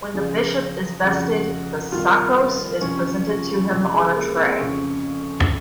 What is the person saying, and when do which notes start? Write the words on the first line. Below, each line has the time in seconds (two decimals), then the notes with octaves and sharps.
When the bishop is vested, the "sakkos" is presented to him on a tray.
0.14 C#2 C#3 F3 G#4
1.03 F2 C#3 F3 F#4
1.92 C2 C3 D#3 F4
2.81 C#2 C3 F3 C#4
3.70 C#2 C3 F3 C4
3.93 G#3
4.15 A#3
4.37 C4
4.52 C4
4.59 F2 C#3 F3 C#4